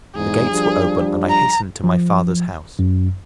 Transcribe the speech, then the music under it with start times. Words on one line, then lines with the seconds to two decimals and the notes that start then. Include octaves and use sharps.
The gates were open, and I hastened to my father's house.
0.15 E2 G#2 G#4
0.50 F3 G3 D4
1.29 A#5
1.84 F3
2.79 F#2